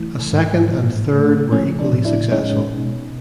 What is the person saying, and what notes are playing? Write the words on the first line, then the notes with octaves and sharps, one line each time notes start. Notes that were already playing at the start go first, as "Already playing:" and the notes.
A second and third were equally successful.
Already playing: E3 A3
G#2
A2
A3
F3 C#4
D4
A2
D4 E4
G#3 C#4 D#4
B2